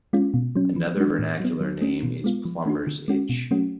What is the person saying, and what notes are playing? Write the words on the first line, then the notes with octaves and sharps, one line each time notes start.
Another vernacular name is plumber's itch.
G#3 C#4 F4
B2
F#3 C#4
F3
G#3 D4 F#4
A2
F#3 B3
F#3
A3 C#4
B2
G#3 B3 F4
F3
A3 D4 F#4
D3
G#3 C#4 F#4
B2
F#3 A3 C#4 F#4